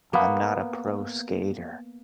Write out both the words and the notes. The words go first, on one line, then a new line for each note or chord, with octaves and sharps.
I'm not a pro skater,
A#3 B3